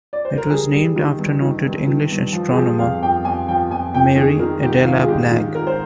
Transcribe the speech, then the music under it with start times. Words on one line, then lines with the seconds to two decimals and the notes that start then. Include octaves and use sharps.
It was named after noted English astronomer Mary Adela Blagg.
0.13 D5
0.25 C5
0.38 A#4
0.50 G3 G#4
0.72 G3
0.96 D#3
1.19 G2
1.42 D#3
1.65 G2
1.87 D#3
2.11 G2
2.33 F3
2.51 G#4
2.56 F3 G4
2.79 F2 F5
3.02 F2 G5
3.25 F2 G#5
3.48 F3 G5
3.71 F2 G#5
3.94 F2 G5
4.16 D#3 G#4
4.39 D#3 A#4
4.63 G#2 G4
4.85 D#3 F4
5.02 G#4
5.08 G#2 G4
5.31 D#3
5.55 G#2 A#4
5.67 C5